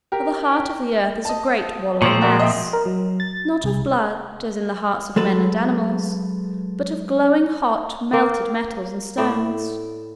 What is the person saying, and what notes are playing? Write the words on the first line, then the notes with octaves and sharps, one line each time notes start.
For the heart of the earth is a great wallowing mass, not of blood, as in the hearts of men and animals, but of glowing hot, melted metals and stones.
G4 A#4
D#5 A5
A#2 F3 C4 C#6
F#4 A#4 D5
D#5 E5 G5
A#4
F#3
A6
C2
F#3 G#3 A4 B4
A#3 A#4
A2 E4 D5